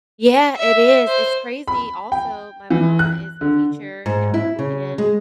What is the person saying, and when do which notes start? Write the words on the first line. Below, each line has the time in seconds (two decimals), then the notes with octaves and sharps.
Yeah, it is, it's crazy. Also, my mom is a teacher, um, and
0.56 E5
1.07 C5
1.68 B5
2.12 G5
2.70 E3
2.99 F#6
3.41 D3
4.06 G#2
4.34 E4
4.59 C#3
4.98 G#3